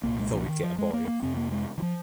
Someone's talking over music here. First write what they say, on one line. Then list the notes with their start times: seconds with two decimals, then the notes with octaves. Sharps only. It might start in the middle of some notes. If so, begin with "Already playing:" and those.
We thought we’d get a boy.
0.03 C2 A#2 A#3
0.19 G#3
0.33 F3
0.48 D#3
0.63 F3
0.78 G#3
0.93 A#3
1.08 A#3
1.23 F2 C3 C4
1.37 A#3
1.52 G#3
1.78 D#3
1.82 F3